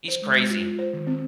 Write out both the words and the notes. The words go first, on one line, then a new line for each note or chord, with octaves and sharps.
He's crazy.
C5
G#3
G#3
F4
F4
C5
D#3
C4